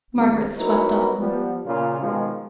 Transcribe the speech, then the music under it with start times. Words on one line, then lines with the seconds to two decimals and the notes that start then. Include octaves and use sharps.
Margaret swept on.
0.14 G#1
0.57 F#3 B3 D#4 E4 A#4 B4
1.19 F3 G3 B3
1.65 A#2 C#3 F4
2.01 B2 D#3 F3 G#3